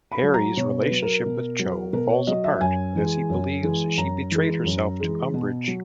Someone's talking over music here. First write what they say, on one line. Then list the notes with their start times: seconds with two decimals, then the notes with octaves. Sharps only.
Harry's relationship with Cho falls apart, as he believes she betrayed herself to Umbridge.
0.12 B5
0.23 F#3
0.34 A#5
0.57 B2 C#5
0.80 B4
0.91 F#3
1.03 A#4
1.26 B2
1.59 F#3
1.93 B2 A#4
2.10 C#5
2.27 F#3 D#5
2.44 E5
2.61 F#2 G#5
2.95 E3 G#3
3.30 F#2
3.63 E3 G#3
3.97 F#2 A#5
4.32 E3 G#3
4.65 F#2
5.00 E3 G#3
5.34 B2
5.67 F#3